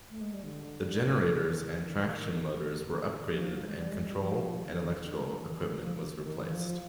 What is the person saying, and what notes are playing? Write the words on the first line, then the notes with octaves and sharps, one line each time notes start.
The generators and traction motors were upgraded and control and electrical equipment was replaced.
A3
G#3
G3
D3
G3
F#3
F3
E3
D#3
D#3
E3
D3
D#3
D#3
F3
F#3
G#3
G3
G#3
G3
F3
D3
D#3
D3
D3
D3
D#3
E3
D3
D#3
F3
E3
D#3
D#3
E3
F3